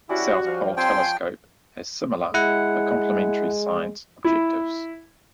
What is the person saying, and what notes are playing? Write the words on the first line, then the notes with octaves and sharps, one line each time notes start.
The South Pole Telescope has similar, but complementary, science objectives.
G3 C#4 E4 F#4
F3 F5
F3 C4 G5 G#5 C6
G#3 E4 F#5
E4